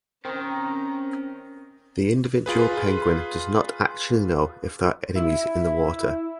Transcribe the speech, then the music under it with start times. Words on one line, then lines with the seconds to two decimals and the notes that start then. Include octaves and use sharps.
The individual penguin does not actually know if there are enemies in the water.
0.25 D#3 C4 C#4 A#4
2.46 F4 G#4 B4
5.15 E4